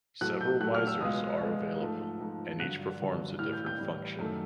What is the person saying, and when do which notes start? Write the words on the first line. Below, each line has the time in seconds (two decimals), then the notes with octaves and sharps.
Several visors are available, and each performs a different function.
0.21 A2 F#3 A3 F#6
0.41 G6
0.60 A2 F#3 A3 F#6
0.75 F6
0.87 E6
1.01 C#2 B2 G#3 D#6
1.40 C#2 B2 G#3
1.80 G#2 F3 A3
2.20 G#2 F3 A3
2.60 G2 D3 F#3 F#6
3.00 G2 D3 F#3
3.39 A2 E3 G3 F6
3.53 G6
3.66 G6
3.79 A2 E3 G3
4.19 F#2 D#3 F#3 A3